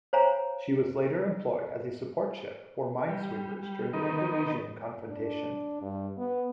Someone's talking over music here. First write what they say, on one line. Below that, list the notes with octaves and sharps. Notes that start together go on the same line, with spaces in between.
She was later employed as a support ship for minesweepers during the Indonesian Confrontation.
C5 C#5 F5 G#5 A#5 B5
G3
G3
D#3 B3 D#4 A#4
D4
G2
B3